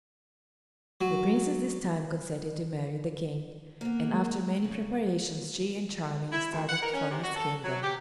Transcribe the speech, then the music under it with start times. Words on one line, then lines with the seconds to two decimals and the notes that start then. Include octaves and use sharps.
The Princess this time consented to marry the King, and after many preparations she and Charming started for his kingdom.
1.01 F#3
3.81 A#3 B3
4.12 G#3
4.64 C#3
6.32 E4
6.53 D2
6.69 F#5
6.82 A#4
6.94 C#4
7.10 C3
7.24 F#4
7.36 A4
7.64 F#3
7.83 G4